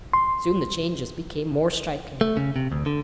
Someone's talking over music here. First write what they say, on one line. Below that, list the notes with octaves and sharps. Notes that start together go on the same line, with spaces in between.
Soon the changes became more striking.
C6
A3
C#3
C3
D2
D3